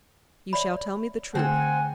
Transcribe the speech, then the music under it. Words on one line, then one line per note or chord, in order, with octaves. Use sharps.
"You shall tell me the truth."
C#5 D5 E5 B5
D3 A3 C4 G#4 F#5 G#5